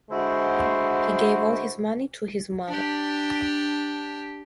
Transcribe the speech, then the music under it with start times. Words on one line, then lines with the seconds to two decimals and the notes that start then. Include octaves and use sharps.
He gave all his money to his mother.
0.10 D3 G#3 E4 F#4 C5
2.68 D4 G4